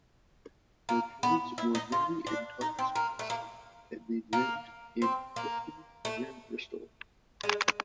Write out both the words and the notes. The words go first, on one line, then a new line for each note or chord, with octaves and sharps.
Her parents were Mary and Thomas Castle and they lived in Clifton near Bristol.
A#3
B3
E4
D#4
F4
D4
D#4
C4
A#3
A3
A#3
A#3
C4
A#3
A3
G#3